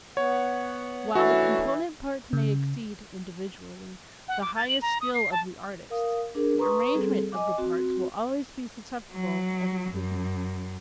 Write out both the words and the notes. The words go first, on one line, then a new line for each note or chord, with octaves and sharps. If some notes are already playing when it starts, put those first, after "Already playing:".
While the component parts may exceed, individually, the highest skill of the artist, the arrangement of the parts will always be susceptible of improvement.
B3 C#5 F#5
E3 A3 C#4 D4 F#4
C#3
F#5
D6
A6
F#7
A#5
D#6
C7
A5
A#4 F5 D#6
D4 G#4 A#4
B4 A#5 C6 C#6 D#6
G3 C4 G#4 A4
D#5 G#5 D6
C4 F#4
F#3
F#2